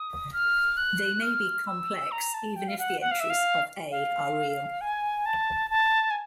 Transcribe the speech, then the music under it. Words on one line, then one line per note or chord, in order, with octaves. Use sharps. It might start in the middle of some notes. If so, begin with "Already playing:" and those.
They may be complex even if the entries of A are real.
Already playing: D#6
F6
F#6
F6
E6
A#5
A5
G5
F5
F#5
F#5
F5
E5
F5
F5
G#5
A5
A5
G#5